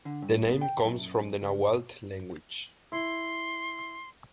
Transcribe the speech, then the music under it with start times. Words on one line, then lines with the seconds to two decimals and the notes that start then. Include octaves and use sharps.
The name comes from the Nahuatl language.
0.05 D3
0.22 G2
0.50 B3
0.61 G5
0.84 F#2
1.41 C#2
2.92 E4 C6